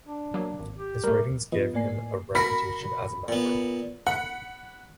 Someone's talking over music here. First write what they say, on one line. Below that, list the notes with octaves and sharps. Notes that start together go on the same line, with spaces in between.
His writings gave him a reputation as a maverick.
D4
F#3 A#3
G#1
G4
G3 A3 A#4
F3 B3 F4 B4 D#5
A2 A#3 D5 G#5 C7
F#4 A#4 B5 B6
A#2 B3
F#5 B5